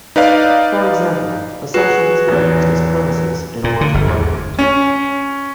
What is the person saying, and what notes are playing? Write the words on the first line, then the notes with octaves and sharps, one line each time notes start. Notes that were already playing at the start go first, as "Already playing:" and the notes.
For example, assumptions can be used as premises in a logical argument.
D#4 B4 D5 F5
F#4 G#4 B4
A1 E2
A#2
D3
G1
E2
C#4